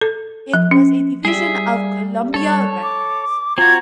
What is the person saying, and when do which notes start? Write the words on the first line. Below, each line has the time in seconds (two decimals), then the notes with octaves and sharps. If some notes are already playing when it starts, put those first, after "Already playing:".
It was a division of Columbia Records.
0.01 A4
0.54 F3
0.71 C#4
1.25 G3 G#4 E5
2.34 A4 C#5
2.83 D6
3.58 C4 F4 F#4 A#5 G#6